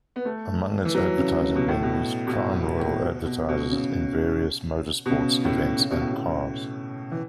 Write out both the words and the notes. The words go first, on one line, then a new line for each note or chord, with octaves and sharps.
Among its advertising venues, Crown Royal advertises in various motor sports events and cars.
B3
A3
E3
F#3
C#3
C#3
B2
A2
B2
B2
A2
A2
B2
B2
B2
C#3
B2
C#3
A2
C#3
B2
A2
B2
E3